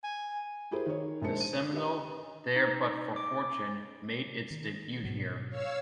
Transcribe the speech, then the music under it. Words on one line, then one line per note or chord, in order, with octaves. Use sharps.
The seminal "There But For Fortune" made its debut here.
G#5
E4 G4 G#4 A#4 C5
D#3 C#5
A#1 G#3 A#4 C5 A5 C#7
C5 D#7
D#7
G4 B4 D#5
D#4
D6
D#3
G#2 B2 F#3
C#5 F5 E6